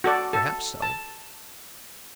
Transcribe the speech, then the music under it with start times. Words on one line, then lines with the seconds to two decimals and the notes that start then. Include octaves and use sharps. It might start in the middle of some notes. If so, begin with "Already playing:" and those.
Perhaps so.
0.04 F#4 A4 D5
0.33 A4
0.82 A5